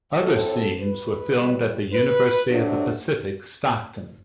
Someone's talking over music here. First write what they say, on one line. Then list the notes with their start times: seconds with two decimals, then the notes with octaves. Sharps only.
Other scenes were filmed at the University of the Pacific, Stockton.
0.21 A2 F#3 C4 A4
0.78 B4
1.35 A2 E3 G3
1.92 B4
2.50 C3 F#3 A3 D4